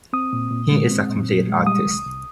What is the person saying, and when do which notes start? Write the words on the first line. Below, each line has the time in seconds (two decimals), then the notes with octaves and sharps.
He is a complete artist.
0.13 C4 D#6
0.33 A#2
0.51 A#2
0.71 G#3
0.91 C4
1.09 A#2
1.29 A#2
1.48 G#3
1.67 G3 D#6
1.86 C2
2.05 C2